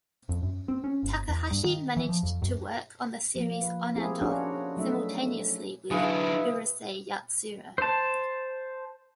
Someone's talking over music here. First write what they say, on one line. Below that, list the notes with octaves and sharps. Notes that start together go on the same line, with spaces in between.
Takahashi managed to work on the series on and off simultaneously with "Urusei Yatsura".
F2
F#2
C4
C#4
G1
E2
G2
D#3
E3
F3
F2
F#2
F3 A#3
B4
C4 E4 G4 G#4 A#4
C#4 D4 F4 F#4 A#4 C#5
F#3 A3 D#4 E5
D3 F#3 D#4 E4 G#4 B4 F5
C5 A5